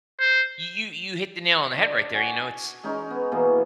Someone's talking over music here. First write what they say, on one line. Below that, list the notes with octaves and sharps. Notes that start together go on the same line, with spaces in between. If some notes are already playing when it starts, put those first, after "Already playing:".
you you you hit the nail on the head right there, you know, it's
C5
D4
F#4 G#5
G#3 C#4 D#4 C#6
B3
B2 E3 A#3 G#4